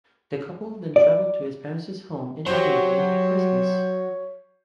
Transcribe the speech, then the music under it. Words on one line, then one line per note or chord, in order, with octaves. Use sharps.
The couple then travelled to his parents' home in Abington for Christmas.
D5
F#3 G4 C5 C#5